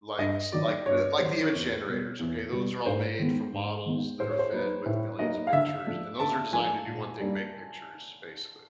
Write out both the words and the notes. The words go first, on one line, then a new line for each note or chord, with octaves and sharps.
Like s like the like the image generators, okay? Those are all made from models that are fed with millions of pictures, and those are designed to do one thing: make pictures, basically,
G2 D#5
D#3 F#3 D5
G2 C#5
D#3 F#3 C5
E2
B2 G3
E2
B2 G3
G#2 C5
D#3 G#3 B3
G#2
D#3 G#3 B3
A2 C5
C#5
C5
F#3 A#3 D#4 B4
A2 C5
F#3 A#3 D#4 D#5
F5
D3 E5
F3 A3 D4
D3 A5
F3 A3 D4 G#5
A#2
G3 A#3 D4